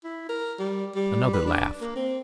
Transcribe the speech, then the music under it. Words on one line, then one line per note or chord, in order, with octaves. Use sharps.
Another laugh.
E4
A#4
G3
G3
B4
D4
A#3
C4